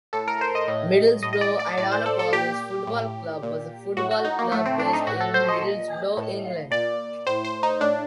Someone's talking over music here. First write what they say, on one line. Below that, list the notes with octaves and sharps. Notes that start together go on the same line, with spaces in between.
Middlesbrough Ironopolis Football Club was a football club based in Middlesbrough, England.
A2 A4
A#4
C5
D#5
A2
A2 D#5
D#5
D5
D5
A2 D5
C5
A4
A4
A#2 G4
A2
A#2
A2 F#4
F#4
D#4
A#3
A2 A3
C4
D4
D#4
A2 F#4
A4
C5
D#5
A#2
A2
A#2 D5
A2 C5
C5
D#4
A2 D4